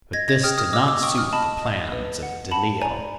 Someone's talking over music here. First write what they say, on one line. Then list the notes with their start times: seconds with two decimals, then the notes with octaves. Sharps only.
But this did not suit the plans of Delisle.
0.13 D#5 G#6 A#6
0.28 G#6 A#6
0.43 G5 D#6 F6
0.58 D#6 F6
0.73 D#5 D6 E6
0.88 D6 E6
1.03 G5 C#6 D#6
1.18 D#6 F6
1.33 D#5 A5 B5
1.62 D#5
1.92 B4
2.23 F#5
2.51 F#5 A5 B5
2.81 D5 G#5 A#5